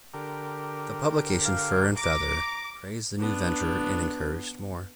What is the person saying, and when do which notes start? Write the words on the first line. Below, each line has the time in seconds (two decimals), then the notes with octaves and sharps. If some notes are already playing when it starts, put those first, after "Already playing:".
The publication "Fur and Feather" praised the new venture and encouraged more.
0.14 D3 G4 A#4
1.46 F5
1.97 A#5 D6
3.20 B3 D4